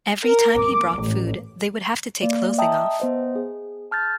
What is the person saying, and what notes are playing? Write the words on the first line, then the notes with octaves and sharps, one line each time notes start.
Every time he brought food, they would have to take clothing off.
A#4
D6
A1
A#3 D5
D#5 E5 G5 A5 A#5 D#6
B3 C5 D#5
G#4
A5 F6 G6 A6